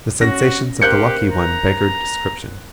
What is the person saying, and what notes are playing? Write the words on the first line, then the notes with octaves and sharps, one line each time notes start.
The sensations of the lucky one beggared description.
C#4 F#4 A#6
G4 A#4 C5 F5 F#6 G6 C#7
A#5